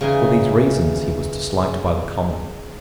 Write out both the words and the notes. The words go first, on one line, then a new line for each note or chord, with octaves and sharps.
For these reasons he was disliked by the Commons.
C#3 E3 D#4 G#4